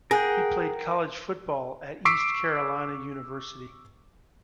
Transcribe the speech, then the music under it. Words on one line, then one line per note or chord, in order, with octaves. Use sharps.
He played college football at East Carolina University.
G#4 A#4 F#5 G5
C#6 D6 E6 B6 C7 D7